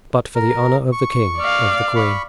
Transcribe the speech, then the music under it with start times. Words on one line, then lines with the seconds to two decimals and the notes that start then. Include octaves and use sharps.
"But for the honor of the king--of the queen."
0.35 A#4
0.92 C#6
1.38 D5 F5
1.96 B5 C#6